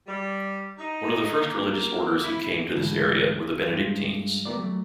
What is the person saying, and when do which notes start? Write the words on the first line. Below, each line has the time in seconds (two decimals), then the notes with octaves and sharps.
One of the first religious orders who came to this area were the Benedictines.
0.07 G3
0.78 D#4
1.41 A#3
2.22 E4
2.75 D2 G#2 E3
3.70 G2 F3 G#3
4.45 G3 A3 B3 F4 A#4 D5
4.59 F#3 A3